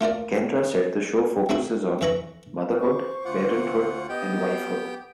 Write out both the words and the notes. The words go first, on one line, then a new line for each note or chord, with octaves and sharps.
Kendra said the show focuses on "motherhood, parenthood, and wife hood".
A3 F4 A#4 D5
G#3 C4 D#4 F#4 E5
F2 E3 B4 E5 A#5 C#6
C5 C#6 D6
D2 F4 F#5
B3 G4 D#5 G5
G6